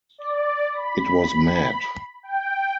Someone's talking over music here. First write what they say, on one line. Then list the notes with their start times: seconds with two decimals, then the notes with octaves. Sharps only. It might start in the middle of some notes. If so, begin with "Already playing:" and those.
It was mad.
0.18 D5
0.74 B5
2.23 G5